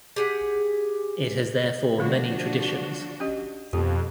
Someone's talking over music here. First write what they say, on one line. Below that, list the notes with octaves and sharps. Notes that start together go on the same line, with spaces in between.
It has therefore many traditions.
G4 G#4 F#5
D3 F3 A3 D4 F4 F#4
C#4 G4 D#5
F2 B2 G4